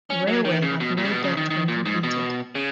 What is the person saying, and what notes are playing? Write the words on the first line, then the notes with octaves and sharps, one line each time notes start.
The railway had no debt when completed.
C#4
F#3
D#3
C#3
B2
A#2
C#3
B2
C#3
D#3
D#3
A#2
G#2
B2
C#3